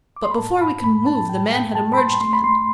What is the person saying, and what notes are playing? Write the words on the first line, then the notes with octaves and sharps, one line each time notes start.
But before we could move, the man had emerged again.
D6
C6
B5
A2 A5
B5
A2 B5
A5
A2 G5
G5
G3 A5
B5
C6
A3 C6
B5
C6